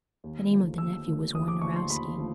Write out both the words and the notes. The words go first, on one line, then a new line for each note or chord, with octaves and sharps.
The name of the nephew was Warnarowski.
D#2
D3 F3 A3
D#2 E6
D3 F3 A3
D#2 D#6
D6
D3 F3 A3 C#6
C6
D#2 B5
D3 F3 A3